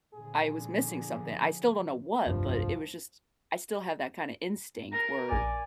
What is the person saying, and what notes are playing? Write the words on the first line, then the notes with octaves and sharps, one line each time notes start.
I was missing something. I still don't know what, but it was just I still have that kinda instinct where
A#2 D3 F3 G#4
F1 C2 G2 F3
A#4 A#5
A#1 D5 G#5 D7